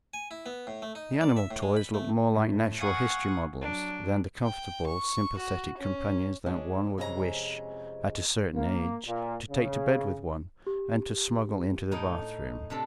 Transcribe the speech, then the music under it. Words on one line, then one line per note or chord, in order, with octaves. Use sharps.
The animal toys looked more like natural history models than the comfortable, sympathetic companions that one would wish, at a certain age, to take to bed with one, and to smuggle into the bath-room.
G#5
E4
B3
A2
A3
D#4
D5
E5
A2
G#3
B5
A3
A2
F5 F#5 G#5 C#6 D#6 F#6
F#3 D4
G5
C#6
F#4
C#4
G#3 C#4 D4
F2 C3 G#3 C#4 E4 A#5
A#3
A#2
C#3
G4
A2 D#4 G5
C3 D4 A4